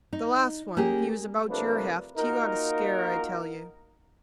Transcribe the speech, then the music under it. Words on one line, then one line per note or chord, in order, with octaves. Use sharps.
The last one--he was about your heft--he got a scare, I tell you.
D#4
A#3 C#4 G4 G#4
C2 F3 A3 D4 A#4 B4
A#3 D#4 F4 F#4 A#4